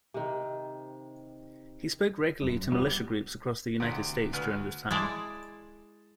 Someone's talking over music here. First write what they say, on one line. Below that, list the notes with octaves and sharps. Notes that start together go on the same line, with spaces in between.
He spoke regularly to militia groups across the United States during this time.
C3 D#3
F#2
A#1 G3 B3 G4
D2 C3
D2 B4 F6
G#3 E4 D5 A5 C6